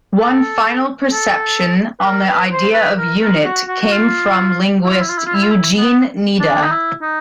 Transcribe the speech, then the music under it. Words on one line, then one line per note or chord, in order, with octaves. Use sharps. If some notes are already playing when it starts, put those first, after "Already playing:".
One final perception on the idea of "unit" came from linguist Eugene Nida.
A4
A4
B4
A#4
B4
C5
B4
A#4
A#4
F#4
F#4
F#4
F4
E4
F4
E4
F4
E4
F4
E4
F4
E4
B3
D4
D#4
E4
D#4